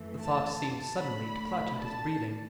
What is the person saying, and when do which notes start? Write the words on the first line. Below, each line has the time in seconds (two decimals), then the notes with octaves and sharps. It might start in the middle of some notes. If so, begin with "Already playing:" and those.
The thought seemed suddenly to clutch at his breathing.
Already playing: F#2 E3 A3
0.20 A5
0.60 A5
0.99 A2 A3 D4 B5
1.80 A5